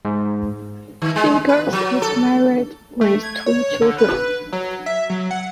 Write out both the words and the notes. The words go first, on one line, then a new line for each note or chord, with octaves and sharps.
Fingers is married with two children.
G#2
D#3
G#3
B4
F#3
A4
A3
G#6
C#5
D3
B4
F#3
E5
F#3
F#5